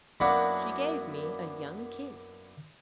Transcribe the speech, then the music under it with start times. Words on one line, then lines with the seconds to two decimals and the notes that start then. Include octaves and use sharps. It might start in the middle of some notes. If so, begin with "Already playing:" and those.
'She gave me a young kid.'
0.20 F#2 A#3 B3 D4 E4 F#4